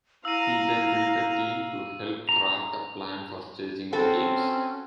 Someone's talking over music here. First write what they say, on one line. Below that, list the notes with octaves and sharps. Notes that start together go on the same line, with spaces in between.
He then built a team to help craft a plan for staging the Games.
E4 F5 A#5 E6 D#7
A#5
C4 C#4 F#4 A4